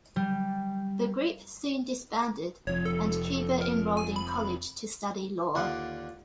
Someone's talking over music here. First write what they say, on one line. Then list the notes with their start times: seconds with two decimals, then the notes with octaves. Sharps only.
The group soon disbanded and Cuba enrolled in college to study law.
0.16 G3
2.67 F1 F3 C#5
2.85 A4
3.61 A#4
3.97 G#5
4.16 B5
5.55 D#2 D3 F4 D5 F#5